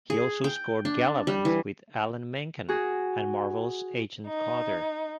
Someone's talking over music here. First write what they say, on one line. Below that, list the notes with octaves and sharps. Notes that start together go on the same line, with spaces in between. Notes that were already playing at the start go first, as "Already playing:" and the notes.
He also scored "Galavant" with Alan Menken and Marvel's "Agent Carter".
G#4
G5
D4
G3
E3
F#4 G#4
D#4